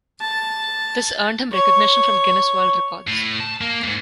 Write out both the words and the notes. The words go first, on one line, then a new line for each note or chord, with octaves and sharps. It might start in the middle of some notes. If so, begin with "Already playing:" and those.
This earned him recognition from Guinness World Records.
A5
C#5
A2
A5
A#3
E2 G#2